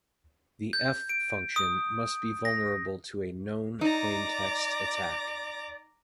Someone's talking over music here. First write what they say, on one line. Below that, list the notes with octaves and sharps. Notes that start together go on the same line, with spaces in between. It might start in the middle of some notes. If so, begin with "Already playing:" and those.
The "F" function must be vulnerable to a known-plaintext attack.
G6
D7
D#6
A#6
D#4 D5 A#5 D6